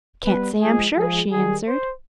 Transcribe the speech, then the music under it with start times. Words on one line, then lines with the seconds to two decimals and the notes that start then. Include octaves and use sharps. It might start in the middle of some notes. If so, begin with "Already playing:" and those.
"Can't say, I'm sure," she answered.
0.24 G3 B3 B4
0.60 F3 G#3 G#4
0.96 F3 G#3 G#4
1.31 D#3 G3 G#4
1.67 C5